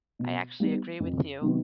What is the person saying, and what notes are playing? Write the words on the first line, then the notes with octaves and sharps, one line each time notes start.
I actually agree with you.
B2
G3 B3 D#4
F2
C3 D#3 F#3 B3